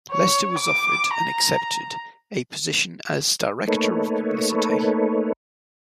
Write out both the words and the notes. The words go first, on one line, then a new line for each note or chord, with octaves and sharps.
Lester was offered, and accepted, a position as Director of Publicity.
C#5
D6
A#5
A3 A#3 D#4 A4 B4 C#5